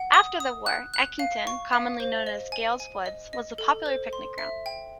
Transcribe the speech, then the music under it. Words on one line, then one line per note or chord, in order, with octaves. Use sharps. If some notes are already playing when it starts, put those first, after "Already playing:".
After the war, Eckington, commonly known as Gales Woods, was a popular picnic ground.
Already playing: F#5
D#6
D#6
F#6
F#6
F5
C#6
F5
C5
D#5
G#5
G#5
D#5
D#5
A4
C5
C6
E5
G5